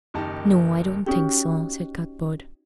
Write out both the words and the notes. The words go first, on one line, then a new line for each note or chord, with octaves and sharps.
"No, I don't think so," said Cuthbert.
F#1 D#3 D#4 G4 A5
C#4 D#4 F#4 G4